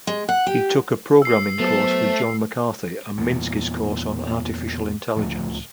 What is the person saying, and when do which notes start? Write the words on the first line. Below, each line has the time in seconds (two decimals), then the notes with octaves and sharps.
He took a programming course with John McCarthy, and Minsky's course on artificial intelligence.
0.07 G#3
0.29 F#5
0.47 G4
1.22 E6 C7
1.59 F#3 A3 B3 A4 C5
3.18 E2 A#2
5.17 D1 C#2 F3 A3